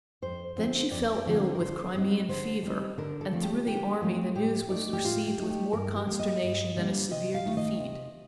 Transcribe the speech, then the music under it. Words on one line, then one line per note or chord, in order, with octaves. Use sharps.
Then she fell ill with Crimean fever, and through the army the news was received with more consternation than a severe defeat.
F2 C5
D3 F3 C4
F2 D5
D3 F3 C4
A#4
D3 C5
G3 C4 D#4
D3 C5
G3 C4 D#4
D3 A#4
A4
F3 A3 C4
G4
D3 G4
F3 A3 C4
A2 G4
A3 D#4 D5
G4
A2 F4
G4
A3 D#4
G4
G2 A#4
G4
D3 G3 A#3
D#5
G2
D3 G3 A#3
C3 D#5
F5
D#3 A3 D#4
D#5
C3 D#5